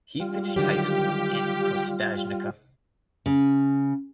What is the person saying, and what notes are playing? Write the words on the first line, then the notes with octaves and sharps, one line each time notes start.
He finished high school in Kostajnica.
G3 F4
D3 D#3 F#3 G4
C#3